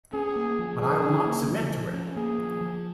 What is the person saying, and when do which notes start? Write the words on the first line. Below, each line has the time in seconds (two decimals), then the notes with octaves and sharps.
But I will not submit to it!
0.13 C#4 G#4
0.36 A#3
0.59 F3
0.81 F3 G#4
1.03 C#4
1.26 A#3
1.49 F3
1.71 F3
1.94 C#4
2.16 A#3 G#4
2.38 F3
2.61 F3